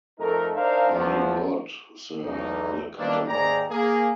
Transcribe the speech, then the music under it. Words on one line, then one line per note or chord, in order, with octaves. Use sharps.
By God Sir, we'll cut 'em up!
F2 A3 D#4 A4 A#4
D4 D#4 A#4 C5 E5 F5
E2 F3
B1 E2 D#4
D#3 E3 G3 A#3 D4
D#2 G#2 G#4 D5 G5 A#5
A#3 G#4